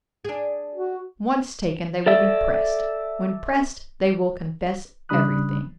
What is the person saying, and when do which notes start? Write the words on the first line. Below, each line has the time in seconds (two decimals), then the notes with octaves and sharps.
Once taken, they will be pressed; when pressed, they will confess everything.
0.25 D4 G#4
0.75 F#4
2.06 A4 D5 E5
5.09 C#3 G3 D4 B5 D#6 F#6